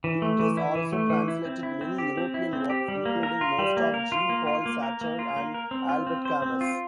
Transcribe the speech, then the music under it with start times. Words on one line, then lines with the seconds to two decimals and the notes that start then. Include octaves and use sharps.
Idriss also translated many European works, including most of Jean-Paul Sartre and Albert Camus.
0.04 E3
0.22 A3
0.40 E3
0.57 E4
0.75 E3
0.93 A3
1.10 E3
1.28 E4
1.45 C4
1.63 E4
1.81 C4
1.98 G4
2.17 C4
2.34 E4
2.53 C4
2.70 G4
2.88 G3
3.05 A#3
3.23 A#4
3.41 F4
3.59 G3
3.77 A#3
3.94 A#4
4.12 F4
4.29 A#3
4.47 F4
4.66 A#3
4.83 A#4
5.01 A#3
5.19 F4
5.36 A#3
5.54 A#4
5.71 C4
5.89 F4
6.07 C4
6.25 C5
6.42 C4
6.61 F4